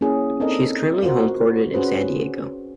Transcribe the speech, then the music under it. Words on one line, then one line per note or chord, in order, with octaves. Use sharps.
She is currently homeported in San Diego.
A#3 C#4 E4 G#4
C4 D#4 A4 A#4 D5 D#5
F4 F#4 A#4 C5
C#4 F4 F#4 G#4 B4 C5